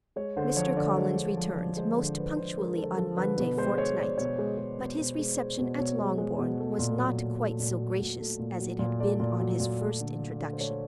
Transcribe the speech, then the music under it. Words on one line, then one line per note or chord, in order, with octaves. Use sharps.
Mr. Collins returned most punctually on Monday fortnight, but his reception at Longbourn was not quite so gracious as it had been on his first introduction.
G#3 C#5
D3 C5
F3 C#5
D3 D5
G#3 C#5
D3
F3
D3
G#3 C5
D3 C5
F3 B4
D3 C5
G#3 A#4
D3 A4
F3 A4
D3 B4
B2 B4
G#3 C5
G#3 C#5
B2 D5
B2 C#5
G#3
G#3
B2
B2 C5
G#3
G#3 C5
B2
B2 C#5
G#3
G#3
B2
A3
A#2
F#3
A#2
A3
A#2
F#3
A#2
A3
A#2
F#3
A#2
A3 D5
A#2
F#3
A#2
A3
D3
F#3
D3
C5
A3 C#5